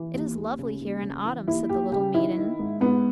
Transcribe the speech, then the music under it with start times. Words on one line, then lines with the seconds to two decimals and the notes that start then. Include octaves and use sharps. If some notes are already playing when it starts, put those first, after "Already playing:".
"It is lovely here in autumn!" said the little maiden.
Already playing: E3
0.14 D#2
0.36 D#2
0.59 C#3
0.81 D#2
1.03 C#3
1.25 E3
1.48 D#2 E4
1.69 D#2 G4
1.92 C#3 G4
2.14 D#3 E4
2.37 D#3
2.59 G#2
2.81 G#2 B3